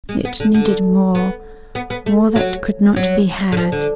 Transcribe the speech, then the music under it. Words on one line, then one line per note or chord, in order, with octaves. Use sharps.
It needed more--more that could not be had.
G#3
B3
D3
D3
B3
B3
B3
A3
F#3
F#3
D3
F3
D3